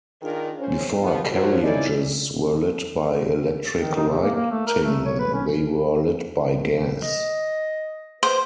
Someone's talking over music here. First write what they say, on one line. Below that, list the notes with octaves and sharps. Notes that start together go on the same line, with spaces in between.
Before carriages were lit by electric lighting they were lit by gas.
D#3 D4 F4 G#4 A#4
C#4 C5
F3 B3
F3 F#3 A#3
C#4 D#4 E4 D5
D#3
D#4
C3
A#3
A#3
A3
A#4
A3
C#5
B4
C#4
D#5
B4 C5